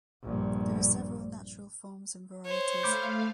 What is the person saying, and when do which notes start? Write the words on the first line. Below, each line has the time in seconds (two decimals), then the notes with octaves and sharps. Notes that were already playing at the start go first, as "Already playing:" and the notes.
There are several natural forms and varieties.
0.23 A#1 G2
2.45 C5 C#5
2.83 A3 F5 B5 D6 G6